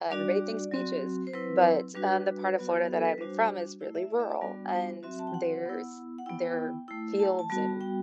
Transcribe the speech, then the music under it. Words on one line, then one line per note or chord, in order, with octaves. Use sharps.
everybody thinks "beaches," but, um, the part of Florida that I'm from is really rural, and there's there fields and
G3 D4 F#4 D5
F#3 C4 F#4
C5
F#3 C4 E4 B4
G3 D4 F#4 B4
F#3 B3 F#4
A4
B4
G3 D4 F#4 C5
A3 E4
E5
D5
E5
D5
G3 B3 D4 F#4
C5
F#3 C4 F#4 E5
A5
G5
F#5
B3 E4
F#5
B3 E4 G5
G5
A3 E4
A5
A5
G3 B3 F#4
G5